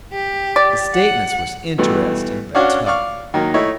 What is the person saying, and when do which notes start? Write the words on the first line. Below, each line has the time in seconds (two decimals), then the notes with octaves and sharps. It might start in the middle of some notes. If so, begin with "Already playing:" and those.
The statements was interesting, but tough.
0.13 G4
0.56 D5
0.94 F#5
1.78 G2 B2 E3 A3
2.55 C#4 D4 F#4 C#5 D5 F5
2.86 D5 F5 C#6 F6
3.34 D#3 F#3 A#3
3.54 A3 D#4 E4 C#5